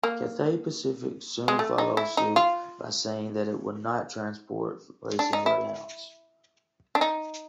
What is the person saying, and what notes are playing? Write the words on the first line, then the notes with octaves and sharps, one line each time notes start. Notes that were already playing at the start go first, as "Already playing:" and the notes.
Cathay Pacific soon followed suit by saying that it would not transport racing greyhounds.
A#3
G#3
A3
D#4
E4
D#4
F4
D4
D#4
E4
D4
D#4